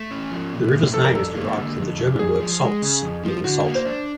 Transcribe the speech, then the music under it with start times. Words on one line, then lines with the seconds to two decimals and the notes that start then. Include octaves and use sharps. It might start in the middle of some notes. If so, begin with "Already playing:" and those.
The river's name is derived from the German word "Salz", meaning salt.
Already playing: A3
0.11 C#4
0.31 F3
0.53 A#2
0.73 A3
0.94 F2 A4
1.04 A#4
1.15 G3 A4
1.35 A#3
1.56 D3
1.77 F2
1.98 G3
2.19 F2 G#4
2.40 F3
2.61 G#3
2.82 C#3
3.02 F2
3.24 F3
3.44 D3 F#4
3.64 A#3
3.75 C5
3.85 D4